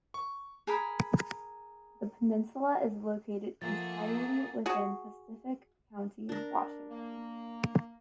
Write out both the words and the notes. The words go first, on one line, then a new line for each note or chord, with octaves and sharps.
The peninsula is located entirely within Pacific County, Washington.
C#6
G#4 A#4 B5
F3 A3 A#3 G#4 F#5 A6
F#4 G#4
D4 A#4
A#3